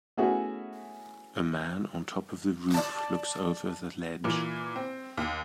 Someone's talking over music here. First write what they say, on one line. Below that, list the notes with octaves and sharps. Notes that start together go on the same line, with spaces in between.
A man on top of the roof looks over the ledge.
A3 B3 C#4 E4 F#4 G#4
D5 A5
A#2 E3
C4
D#2